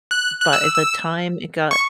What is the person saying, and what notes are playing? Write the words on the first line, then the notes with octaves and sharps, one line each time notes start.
but at the time it got
F#6
F#6
E6
E6
C#6